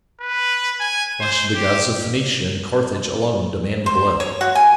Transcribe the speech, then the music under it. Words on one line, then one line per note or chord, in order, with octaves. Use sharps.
Why should the gods of Phoenicia and Carthage alone demand blood?
B4
G#5
C5
G4
C5
C#5
F#4
G#5